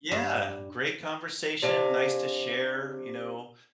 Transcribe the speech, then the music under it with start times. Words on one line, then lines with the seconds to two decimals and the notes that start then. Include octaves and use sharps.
Yeah, great conversation, nice to share, you know,
0.12 G2
1.62 C3 D4 F5 G#5